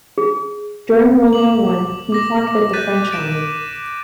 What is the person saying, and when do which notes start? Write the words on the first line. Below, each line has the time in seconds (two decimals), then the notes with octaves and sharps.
During World War One, he fought with the French army.
0.18 G#4
1.33 D6 F#7
2.12 D6 A#6
2.73 F#6 G6 A6 B6 D#7
3.11 A6 D7 E7